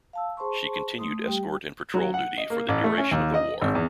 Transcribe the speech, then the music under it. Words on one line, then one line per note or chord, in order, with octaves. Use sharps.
She continued escort and patrol duty for the duration of the war.
F5 A5 E6
G#4 C5 A5 C6 C#6
A3 C6 D#6
G3 G4 G5
F#3
F#5
D#5
A#3
A1
A3
C#4
D#2
D#5
G#1
E2